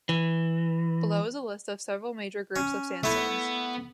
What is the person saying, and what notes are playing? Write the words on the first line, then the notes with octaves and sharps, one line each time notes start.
Below is a list of several major groups of sandstones.
E3
C#4
A3 B3 E4